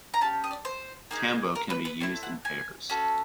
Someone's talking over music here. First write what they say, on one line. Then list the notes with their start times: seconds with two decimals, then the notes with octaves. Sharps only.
Tambo can be used in pairs.
0.14 A#5
0.21 C#4 E4 G4 A5
0.44 D#5
0.51 D5
0.65 C5
1.11 A#3 D#4 G#4
1.55 A#4
1.70 B4
1.85 B4
2.00 A3 C4 E4 C#5
2.23 F#5
2.45 G#5
2.90 C#4 F#4 A4